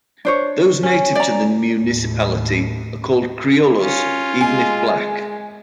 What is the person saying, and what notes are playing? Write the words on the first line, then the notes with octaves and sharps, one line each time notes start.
Those native to the municipality are called criollos even if black.
D4 C5 C#5
C#4
D5 A#5
D#2 A2
C#4 F4
G#3 G#5